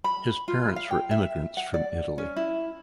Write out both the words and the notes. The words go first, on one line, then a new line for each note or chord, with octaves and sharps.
His parents were immigrants from Italy.
B5
F4
F5
G5
E5
F#5
D5
C#4
E4